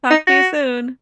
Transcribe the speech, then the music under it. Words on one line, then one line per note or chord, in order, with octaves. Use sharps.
Talk to you soon.
D#4
F#4